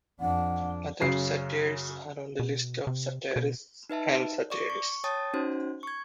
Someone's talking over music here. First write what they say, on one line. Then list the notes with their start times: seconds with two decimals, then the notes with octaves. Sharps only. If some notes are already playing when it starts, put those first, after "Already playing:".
Other satires are on the list of satirists and satires.
0.21 F2 D4 F#5
1.00 F#2 C#3 C7
2.39 B2
2.87 C3
3.36 B2
3.90 D#4 B4 E5 A5
4.50 D5 C#6 D6
4.70 C#6
5.04 C#5 G5 A5 D#6 A6
5.34 C#4 D#4 F#4 C5
5.83 C#6 G#6